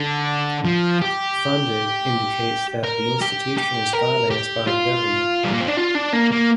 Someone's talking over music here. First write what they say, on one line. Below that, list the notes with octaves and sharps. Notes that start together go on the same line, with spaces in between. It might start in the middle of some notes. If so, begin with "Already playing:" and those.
Funded indicates that the institution is financed by the government.
Already playing: D3
F3
G4
A#4
G4
G4
A#4
G4
F4
G3
A#3
C4
D4
F4
D4
A#3
A#3